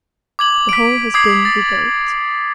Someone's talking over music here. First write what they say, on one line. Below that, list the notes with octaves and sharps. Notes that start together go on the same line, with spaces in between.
The whole has been rebuilt.
D6 G#6 F#7
B6 D7
D6 D#6 G#6 C7
A6